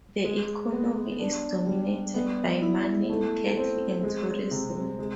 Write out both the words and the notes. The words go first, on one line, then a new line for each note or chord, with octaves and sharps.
The economy is dominated by mining, cattle, and tourism.
G#3
B3
D4
G3
B3
E4
A3
C4
G#3
C3
G#3